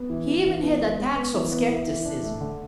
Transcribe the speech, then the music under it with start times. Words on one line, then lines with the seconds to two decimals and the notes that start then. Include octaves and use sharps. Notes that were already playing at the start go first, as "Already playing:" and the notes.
He even had attacks of scepticism.
Already playing: B3
0.10 E3
0.28 E3
0.45 E3
0.63 B3
0.81 G#3
0.99 G#3
1.16 B3
1.34 E3
1.52 B3
1.70 E4
1.87 E3
2.06 D4
2.23 A3
2.41 D3